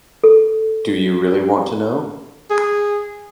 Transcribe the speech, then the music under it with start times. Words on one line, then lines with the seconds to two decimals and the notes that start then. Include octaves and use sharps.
Do You Really Want To Know?
0.24 A4
2.50 G#4